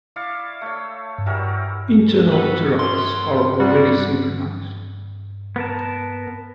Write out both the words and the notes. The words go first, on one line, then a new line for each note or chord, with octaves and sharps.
Internal interrupts are already synchronized.
E4 D5 F5 C#6
A3 C#5
E3 F#3 G3 A#4
F#4 A4 B4
F#2 C6
E3 G3 D4 F#4
B3 A#4 A5